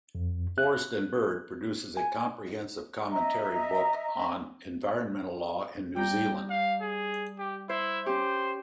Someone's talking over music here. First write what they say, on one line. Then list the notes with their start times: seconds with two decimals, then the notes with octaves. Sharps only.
Forest and Bird produces a comprehensive commentary book on environmental law in New Zealand.
0.15 F2
0.58 F#6
1.97 G#5
3.11 D#5 E5 A#5
5.96 G3 G5 A#5 G6
6.50 F5
6.82 G#4
7.38 G4
7.69 E4 C5
8.06 C#4 G4 C5